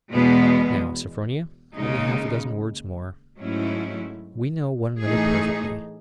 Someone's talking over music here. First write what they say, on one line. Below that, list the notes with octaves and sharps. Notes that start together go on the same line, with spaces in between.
Now, Sophronia, only half a dozen words more. We know one another perfectly.
E2 B2 G#3 B3
D#2 C#3 G#3 D#4
G#2 F#3 A3 C#4 E4
A2 E3 A3 D#4 G#4